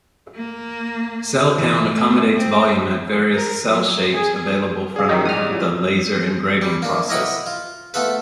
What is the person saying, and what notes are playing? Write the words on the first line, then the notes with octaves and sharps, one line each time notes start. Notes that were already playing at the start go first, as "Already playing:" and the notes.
Cell count accommodates volume at various cell shapes available from the laser engraving process.
A#3
E3
A3
C4
A#4
F#3
G#4
C3 F3 G#4 D5 F5
D#3 D#4 G4 C#5
A1 G#2 G3 G#4 D5 D#6 F6
E4 F4 C#5
G3
A#3 D4
E4 A#4 D#5 F#5 G5 B5
F4
A3 B3 F4 A4 B4